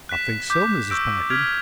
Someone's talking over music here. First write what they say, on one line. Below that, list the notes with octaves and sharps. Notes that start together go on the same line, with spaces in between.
"I think so, Mrs. Packard."
F#6 B6 E7
D6 G6 B6
C#6 E6 G6 A#6 D7
F6 G#6 B6 D7 F7